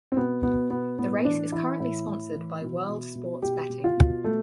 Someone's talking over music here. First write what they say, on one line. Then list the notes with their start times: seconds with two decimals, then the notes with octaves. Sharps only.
The race is currently sponsored by World Sports Betting.
0.12 C4
0.16 B2 B3
0.43 B2 B3
0.70 B2 B3
0.98 A2 B3
1.25 E3 D4
1.52 E3 E4
1.79 A2 E4
2.07 A2
2.35 E3
2.61 B2
2.89 B2
3.15 B2
3.42 B2 G4
3.70 B2
3.84 F4
3.97 B2
4.24 B2 A3